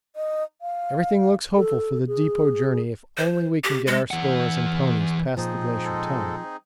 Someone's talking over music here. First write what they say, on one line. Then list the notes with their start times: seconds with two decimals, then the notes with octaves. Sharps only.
Everything looks hopeful for the depot journey if only we can get our stores and ponies past the Glacier Tongue.
0.16 D#5
0.62 F5
1.56 A4
2.07 G#4
3.17 C5
3.64 G4
3.87 G#3
4.11 E3 F#5
5.37 A#2 F3 C4 D#4 G#4
5.85 G#3 A4